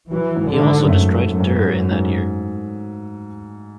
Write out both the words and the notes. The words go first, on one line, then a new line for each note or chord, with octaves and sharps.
He also destroyed Der in that year.
E3 F#3
G#2
D3
G#2
F#2 A3
F#3
F#2
G#2
F#2 F#3
G#2